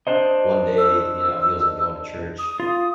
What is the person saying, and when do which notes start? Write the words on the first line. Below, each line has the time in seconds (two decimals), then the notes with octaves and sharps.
one day, you know, he was, like, going to church
0.07 D4 C5 D#5
0.78 E6
2.39 D#6
2.60 F4